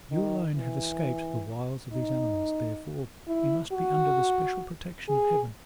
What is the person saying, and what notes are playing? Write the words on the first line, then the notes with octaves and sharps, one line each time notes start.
You alone have escaped the wiles of these animals, therefore you must be under the special protection of Heaven.
D#3
E3
D#4
E4
F#4
G#4